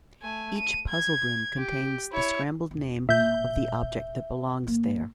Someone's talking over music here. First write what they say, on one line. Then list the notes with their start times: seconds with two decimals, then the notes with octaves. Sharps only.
Each puzzle room contains the scrambled name of the object that belongs there.
0.22 A3 G#5
0.58 D#7
0.89 G#6
1.58 G4
2.12 E4 C#5
2.71 E1
3.09 A#2 E5 G6
4.64 A1 A#3